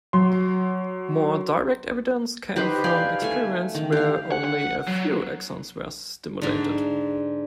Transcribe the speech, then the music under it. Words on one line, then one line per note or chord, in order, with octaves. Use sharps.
More direct evidence came from experiments where only a few axons were stimulated.
F#3 C6
D#4 G4 B4 C5
D5 F5 G5 G#5
A3 G#5
D#3
G4 F5
F#5
F#5
F#3
G#2 D3